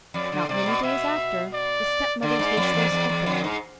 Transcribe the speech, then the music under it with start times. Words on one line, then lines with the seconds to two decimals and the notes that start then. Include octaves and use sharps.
Not many days after, the stepmother's wish was fulfilled.
0.14 F2 D5
0.32 D3
0.49 C3 D5
0.66 B2
0.83 B2 E5
1.53 D5
2.22 D3 D5
2.39 G#2
2.57 F2
2.74 E2
2.91 E2
3.09 E2
3.26 F2
3.44 G#2